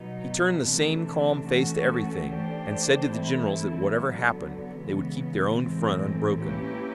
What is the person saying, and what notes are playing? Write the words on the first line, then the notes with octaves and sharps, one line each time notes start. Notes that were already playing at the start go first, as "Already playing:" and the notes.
He turned the same calm face to everything, and said to the generals that whatever happened they would keep their own front unbroken.
Already playing: B2 F#3 B3 D#4
C3 E3 A3 D4
E3 A3 C#4 F#4
E3 A3 D4 G4 C5
E3 A3 C4 E4
D3 F#3 B3
C#3 E3 G#3 B3
A2 E3 G#3 C4
A#3 C#4 E4 G4 B4